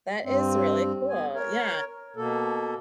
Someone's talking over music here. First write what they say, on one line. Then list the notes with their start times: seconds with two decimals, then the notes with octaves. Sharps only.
That is really cool, yeah.
0.24 G2 C4
1.09 B3 G#5
1.35 A#4 C#5
2.16 B2 A#3 A4